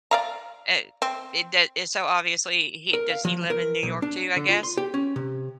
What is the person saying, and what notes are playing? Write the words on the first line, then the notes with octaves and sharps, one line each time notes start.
It it doe and so obviously he does he live in New York too, I guess?
D5 F5 A#5
C4
A#4
F5
F3
A#4
B1
D4
D3
F4
C6
G4
C#4
C3